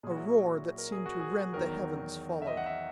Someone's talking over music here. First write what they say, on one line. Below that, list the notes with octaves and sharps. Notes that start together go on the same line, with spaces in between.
A roar that seemed to rend the heavens followed.
A#2 F#3 F#4 G#4
E4
F#4
A#4
G#4
F#4
G#4
E2 D#3 F#3 A#4
E5
D#5
F#5
E5